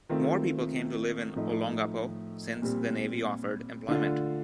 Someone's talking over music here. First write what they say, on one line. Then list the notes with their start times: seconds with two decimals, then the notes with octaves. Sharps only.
More people came to live in Olongapo since the Navy offered employment.
0.09 D#3 A3 C4 F4
1.36 A2 F3 A3 D#4
2.62 A#2 G3 C4
3.88 D3 A3 D4 F4